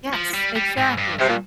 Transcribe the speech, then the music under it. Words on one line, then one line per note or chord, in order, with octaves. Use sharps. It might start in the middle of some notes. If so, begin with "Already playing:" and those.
Yes, exactly.
F3
G3
G3
G#2
G2
G2 C3
A#2